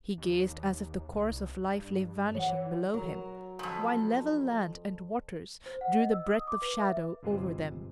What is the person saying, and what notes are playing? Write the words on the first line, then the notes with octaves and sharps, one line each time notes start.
He gazed as if the course of life lay vanishing below him, while level land and waters drew the breadth of shadow over them.
D#2
C2
G2
E3 C#5 F#5
F#3 A#4
F2 G#2
C5
F#5
D#5
E6
D#6
D6
B4
E5
G1 C3 G#3 F4 B4 C5